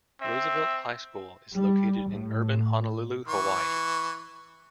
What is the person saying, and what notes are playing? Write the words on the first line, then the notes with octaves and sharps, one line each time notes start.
Roosevelt High School is located in urban Honolulu, Hawaii.
C4 E5
G3
A2
E3 C#6